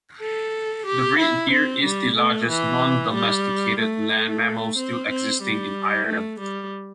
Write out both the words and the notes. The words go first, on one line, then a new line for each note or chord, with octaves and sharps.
The red deer is the largest non-domesticated land mammal still existing in Ireland.
A4
G4
E4
C4
G3
A3
E3
G3
A3
C4
C4
G3
A3
G3